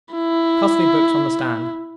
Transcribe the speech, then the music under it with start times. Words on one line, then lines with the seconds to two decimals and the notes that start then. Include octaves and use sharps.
Costly books on the stand.
0.15 E4